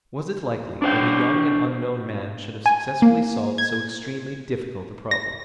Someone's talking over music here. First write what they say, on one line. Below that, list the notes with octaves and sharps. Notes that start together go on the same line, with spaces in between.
Was it likely that a young and unknown man should have successfully solved so extremely difficult a problem?
D4 C5 G5
G#5
A#3
G#6
A#6